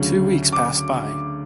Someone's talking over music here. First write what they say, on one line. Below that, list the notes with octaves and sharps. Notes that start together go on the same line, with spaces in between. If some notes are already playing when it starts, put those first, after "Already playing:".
Two weeks passed by.
Already playing: D2 C#3 F#3
D6